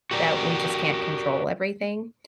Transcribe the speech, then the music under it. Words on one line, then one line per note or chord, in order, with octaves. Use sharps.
that we just can't control everything,
F#4 G4 A#4 D5